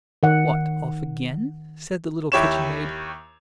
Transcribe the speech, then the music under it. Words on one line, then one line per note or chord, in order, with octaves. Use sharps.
"What, off again?" said the little kitchen-maid.
D#3 F#5
D#2 E4 G4 C#5 C#6 E7